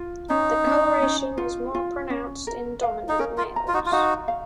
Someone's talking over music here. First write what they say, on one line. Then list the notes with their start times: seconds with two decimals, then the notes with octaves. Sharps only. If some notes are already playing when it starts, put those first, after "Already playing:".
The coloration is more pronounced in dominant males.
Already playing: F4
0.29 C#4 D#4
0.66 C#4
1.02 C#4
1.38 F4
1.75 F4
2.10 C#4
2.47 A#4
2.83 F5
3.09 D#4
3.19 C#4 A#4
3.38 F4
3.56 A#5
3.68 F4
3.74 D#4 F#4
3.86 F4
3.92 D#4 F#4 F5
4.28 F5